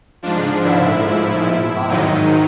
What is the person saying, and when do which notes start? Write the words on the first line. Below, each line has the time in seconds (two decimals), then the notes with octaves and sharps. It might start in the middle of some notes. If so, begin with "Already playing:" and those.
It crackled like a mighty fire.
0.22 G#2 F3 D4
0.64 E4
1.06 E4
1.89 G#2 D#3 F#3 D#4